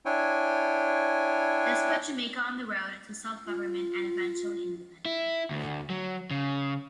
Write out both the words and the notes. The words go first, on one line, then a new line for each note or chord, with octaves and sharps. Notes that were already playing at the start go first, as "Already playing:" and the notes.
This put Jamaica on the road to self government and eventually independence.
D4 E4 C#5 G5 G#5
F4
E4
D2
F#3
C#3